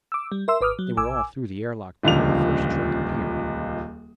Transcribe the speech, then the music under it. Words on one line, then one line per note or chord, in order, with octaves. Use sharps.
They were all through the air lock before the first truck appeared.
D6 E6
G3
A#4 E5 C6 E6
G#1 B4 D6 D#6 F6
F#3
A#1 G#5 D6 E6
D#1 C#2 D3 F3 F7